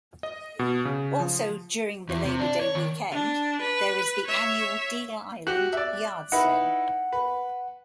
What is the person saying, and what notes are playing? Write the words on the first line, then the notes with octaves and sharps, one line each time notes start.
Also, during the Labor Day weekend, there is the annual Deal Island yard sale.
D#5
B2
C#3
F3
E2
C3
D4
C#5
D#3
D4
B4
C#5 E5
F#4 G4 F#5 F#6
D5 E5
D#4 E4 B4 F#5
B4